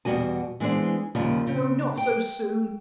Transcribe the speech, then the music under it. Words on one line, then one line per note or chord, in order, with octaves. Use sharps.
'Oh, not so soon!
E2 B2 G3 F#4 G#5
E3 G#3 B3 D4 C5
D#2 C#3 F3 G3
C#3
G5